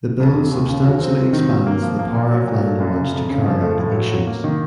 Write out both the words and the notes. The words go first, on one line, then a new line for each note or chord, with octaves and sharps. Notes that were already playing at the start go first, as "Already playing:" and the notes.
The bill substantially expands the power of landlords to carry out evictions.
F2
C3
D#2
C#3
F#3
C4
C3
D#3
F#3
A#3
F3
A#3
A#2
F#3
A#2
A3
F#2
C#3
F2
C#3
F3
A3
A2
F#3
F#3
A#3
D#3